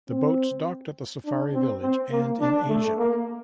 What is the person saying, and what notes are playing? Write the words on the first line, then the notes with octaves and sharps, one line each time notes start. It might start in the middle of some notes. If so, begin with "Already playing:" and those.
The boats docked at the Safari Village and in Asia.
C4
D4
C4
C4
A#3
D4
A3
A#3